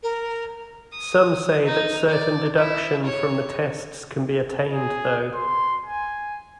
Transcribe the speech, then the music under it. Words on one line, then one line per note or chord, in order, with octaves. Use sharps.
Some say that certain deduction from the tests can be attained, though.
A#4
D#6
D#4
D5
E4
C#5
G#4
C6
G#5